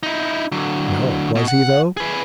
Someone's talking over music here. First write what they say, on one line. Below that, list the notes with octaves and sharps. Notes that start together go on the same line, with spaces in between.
"No was he, though?"
D#4 E4
D3 F#3
B2
F#5
G#4 B4